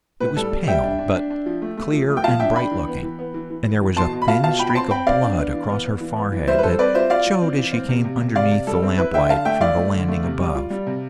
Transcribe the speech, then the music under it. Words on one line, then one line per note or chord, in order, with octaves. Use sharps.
It was pale, but clear and bright-looking, and there was a thin streak of blood across her forehead that showed as she came underneath the lamp-light from the landing above.
A2 B4
G3 A4
G3
G3 E5 G5
D4
D4
D4
D4
F3
A3
A3
F3
A3
G5
F3 F5 A5
D4 E5 G5
D4 G5 B5
E3
B3
E3
B3
E3
E3
E3
E3
B2 A5 C6
B2
B5
F4 F5 A5
B2 F5 A5
F4 G5 B5
B5
C4 A5 C6
C4 G5 B5
C4 D5 F5
D4
B3
E3
B3
B3
E3
B3
E3
G3 C5 E5
B4
G3 A4 C5
C4 B4 D5
F4 C5 E5
F4 D5 F5
F4
C4
E3
C4
C3
C3
C3
C3 D5 F5
C3
G3 A4
C4
E4 B4
D3 E5 G5
D3 F5 A5
A3 E5 G5
E4 D5 F5
A3
D3
A3
C3
G3
F4
G3
C3